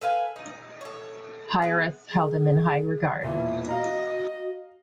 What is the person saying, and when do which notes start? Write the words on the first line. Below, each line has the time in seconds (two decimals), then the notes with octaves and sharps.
Pyrrhus held him in high regard.
0.01 A4 B4 F5 G#5
0.36 D#4
0.81 A4 C#5
1.62 G#3 B3
2.11 G#4
3.23 E1 A#2 E3 E5
3.68 F#4 D#5 F5 A#5